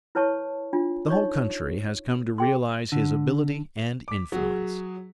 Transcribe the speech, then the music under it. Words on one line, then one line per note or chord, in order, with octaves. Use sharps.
The whole country has come to realize his ability and influence.
E4 B4 C#5 A5 C#6
D4 F4
D#4 C#5 C#6
G#4 G5 C6
D3
D6 B6
F#3 F#4 G#4